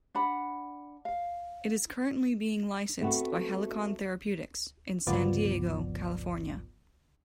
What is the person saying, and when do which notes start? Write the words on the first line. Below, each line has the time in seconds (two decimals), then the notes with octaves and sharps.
It is currently being licensed by Helicon Therapeutics in San Diego, California.
0.15 D4 F#5 B5
1.05 F5
3.01 A3 B3 C4 F#4
5.07 G1 C#2 A#2 F3 B3 D5